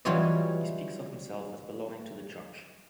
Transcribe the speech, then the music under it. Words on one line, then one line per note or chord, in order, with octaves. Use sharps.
He speaks of himself as belonging to the Church.
E3 F#3 G3 F4 C#5 D#5